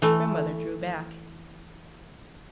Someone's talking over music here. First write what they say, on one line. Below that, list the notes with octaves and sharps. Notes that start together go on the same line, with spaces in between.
Grandmother drew back.
E3 A3